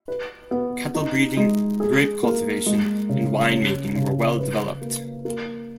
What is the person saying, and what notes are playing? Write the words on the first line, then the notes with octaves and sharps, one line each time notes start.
Cattle-breeding, grape cultivation and wine making were well-developed.
B4
B3
D#4
G#3
G#4
A#3
G#3
C#3
C#4
C#3
B4
A#3
A#3